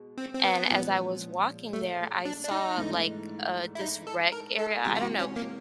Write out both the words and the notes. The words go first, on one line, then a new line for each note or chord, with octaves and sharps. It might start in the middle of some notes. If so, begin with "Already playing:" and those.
And as I was walking there, I saw, like, uh, this rec area. I don't know.
Already playing: B2 G#3
C4
C4
B3
A#2 F3 G#3 C#4
A3
D4
D4
D#4
G#2 E3 A3 D4
E4
D#4
A4
A#4
A4
C3 E3 G#3 G4
F4
F#4
C#4
A#3